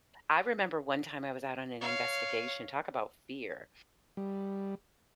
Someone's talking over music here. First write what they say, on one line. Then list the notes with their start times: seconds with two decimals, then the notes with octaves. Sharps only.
I remember one time I was out on an investigation- talk about fear-
1.81 C#5 F5
4.17 G3